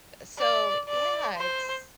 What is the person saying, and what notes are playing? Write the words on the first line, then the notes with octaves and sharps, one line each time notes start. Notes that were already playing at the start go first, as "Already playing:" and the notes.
Uh, so, yeah, it's
D5
D5
C5